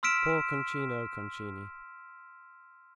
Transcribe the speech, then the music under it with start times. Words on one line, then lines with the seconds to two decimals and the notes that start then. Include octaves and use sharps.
Poor Concino Concini!
0.03 C6 E6 F6 B6 D7 E7